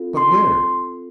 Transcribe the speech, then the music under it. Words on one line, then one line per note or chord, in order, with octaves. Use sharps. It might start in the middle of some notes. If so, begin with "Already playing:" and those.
"But WHERE?"
Already playing: C4 F4 A4
C6